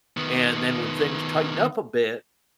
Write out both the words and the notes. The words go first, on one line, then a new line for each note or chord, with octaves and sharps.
and then when things tighten up a bit,
D#3 B3